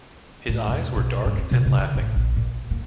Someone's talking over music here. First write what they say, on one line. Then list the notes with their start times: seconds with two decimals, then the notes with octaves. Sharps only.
His eyes were dark and laughing.
0.49 A2
0.68 E1
0.96 B1
1.25 G2
1.38 C4
1.51 B2
1.66 C3
1.78 D3
1.95 A1
2.16 A#1
2.37 A#2
2.71 A#3